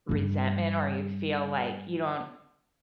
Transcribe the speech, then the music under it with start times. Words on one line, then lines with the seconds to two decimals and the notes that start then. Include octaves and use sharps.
resentment or you feel, like, you don't
0.09 G2 G3